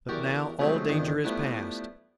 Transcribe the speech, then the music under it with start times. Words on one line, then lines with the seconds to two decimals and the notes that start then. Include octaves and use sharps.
But now all danger is past.
0.09 E2 F#4 G4 A#4 D5
0.59 C3 F3 F#3 G#3 A3
0.88 E2 G2 D#3 F3
1.24 F3 G3 A3 B3 D4 E4